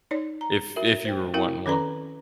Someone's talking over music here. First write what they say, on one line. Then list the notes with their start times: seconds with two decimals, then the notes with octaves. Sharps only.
if if you were wanting one.
0.11 D#4 C#5 D5
0.41 A#5
0.76 F#4 A#4 E5
1.05 C5 G5
1.34 C4 E4 F#4 A#4 F5 G5
1.66 D#3 C#4 A4 B4 D5 A#5